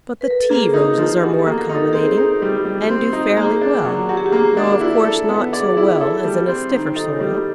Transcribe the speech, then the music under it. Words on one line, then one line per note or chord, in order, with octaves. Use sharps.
But the Tea Roses are more accommodating, and do fairly well, though, of course, not so well as in a stiffer soil.
B4
A#4
A4
A#3 G#4
D#4
F3
F#4 G4
A4
A#3
A#4
D#4
A4
A4
C4 G#4
D#4
G3
G3
C4
D#4
A#3 G#4
D4
F#3
F#4 G4
G#4
G4
A#3
D4
E4
A4
B3
G#4 D5
E4
A4
G3
C4
D#3
D#4 A4
G3